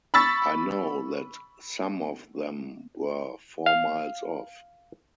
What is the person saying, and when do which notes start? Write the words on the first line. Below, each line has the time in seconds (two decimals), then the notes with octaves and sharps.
I know that some of them were four miles off.
0.14 B5 C#6 E6 A6 B6
3.66 F5